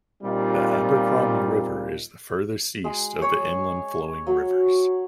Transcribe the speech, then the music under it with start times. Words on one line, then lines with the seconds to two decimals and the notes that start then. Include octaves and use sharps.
The Abercrombie River is the furthest east of the inland flowing rivers.
0.23 A#2 G3 C4 D#4 F4
2.84 G#3
3.22 C#5
4.27 F#3